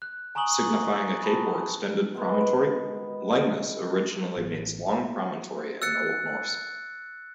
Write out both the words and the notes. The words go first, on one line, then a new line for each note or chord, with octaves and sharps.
Signifying a cape or extended promontory, "Langness" literally means "long promontory" in Old Norse.
F#6
G#5 A#5 C#6 D#6 F#7 G7
A5 B5
B2 D#3 G#3 B3
A1
E6 F#6 A6 C#7